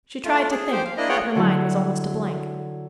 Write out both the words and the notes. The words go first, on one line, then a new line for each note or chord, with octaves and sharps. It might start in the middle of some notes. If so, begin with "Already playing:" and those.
She tried to think, but her mind was almost a blank.
A3 F4
G#4
G4 C5
F5
A#3 D4 E4 D#5
B3 F4 G#4 C#5 F#5 G5
D3 F#3 E4